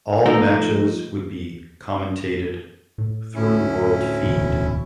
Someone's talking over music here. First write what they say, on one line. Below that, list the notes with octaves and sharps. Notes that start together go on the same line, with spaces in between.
All matches would be commentated through world feed.
F3 A3 D#4 A#4
A2
D2 C#4 E4
D1 E2 B2